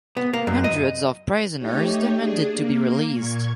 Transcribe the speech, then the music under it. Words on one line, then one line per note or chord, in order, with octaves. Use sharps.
Hundreds of prisoners demanded to be released.
B3
A#3
F#2
D#5
A3 D#4 G4 C#5
D4 G#4
A#3
A#2 C#6 G#6